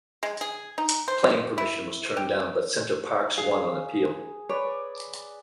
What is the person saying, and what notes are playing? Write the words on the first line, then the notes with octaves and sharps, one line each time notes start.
Planning permission was turned down but Center Parcs won on appeal.
G#3
G#4
D#4
C5
E4
G4
G#4 F5
B4 C#5 D5